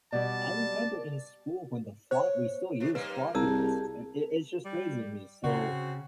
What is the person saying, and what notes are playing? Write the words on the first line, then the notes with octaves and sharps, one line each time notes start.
I remember in school when the flop we still used floppy disks. It it's just crazy to me. So
B2 G3 D5 A5
C5 C#5
C3 D4
G3 A#3 D#4 B4
C2 G4 G#4 A#4 A5 A#5
G3
C#3 C4 F#4